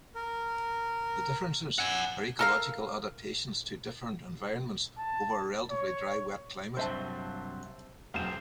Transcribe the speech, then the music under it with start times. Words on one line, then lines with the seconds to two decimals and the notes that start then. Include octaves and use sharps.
The differences are ecological adaptations to different environments over a relatively dry-wet climate.
0.15 A#4
1.79 F#5 G#5 E6
2.39 A4 A#4 F5
4.98 A5
5.70 C#5
6.77 G2 C3 F#3 C5 E5 A5
8.14 E1 F#2 G4 C5 F5 E7